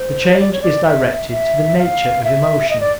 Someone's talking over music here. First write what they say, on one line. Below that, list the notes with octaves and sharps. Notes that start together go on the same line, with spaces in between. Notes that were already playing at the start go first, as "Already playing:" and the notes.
The change is directed to the nature of emotion.
Already playing: C5
D#5
D5
C#5
D5
E5
E5
F5
E5
D#5
D5